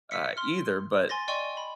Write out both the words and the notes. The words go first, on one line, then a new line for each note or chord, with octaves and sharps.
uh, either, but
E6 B6 C#7
C6 F6
G#5 C6 A6 A#6
D5 D#5 G5 C6 C#6 D#7
B5